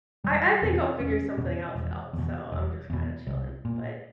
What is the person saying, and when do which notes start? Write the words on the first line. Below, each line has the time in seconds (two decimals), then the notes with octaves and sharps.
I I think I'll figure something else out. So I'm just kinda chilling, but
0.24 E1 G3
0.62 E2 B2 C4
1.00 E1 C#4
1.38 E2 B2
1.76 E1
2.13 E2 B2
2.52 E1
2.90 E2 B2
3.27 C2
3.65 A#2